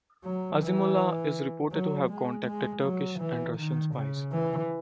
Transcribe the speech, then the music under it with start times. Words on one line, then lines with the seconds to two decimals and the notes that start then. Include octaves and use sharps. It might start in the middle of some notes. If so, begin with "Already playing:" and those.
Azimullah is reported to have contacted Turkish and Russian spies.
0.24 F#3
0.61 E3
1.72 F#3
2.09 G#3
2.46 G#3
2.84 F#3
3.20 E3
3.57 D#3
3.94 C#3
4.32 E3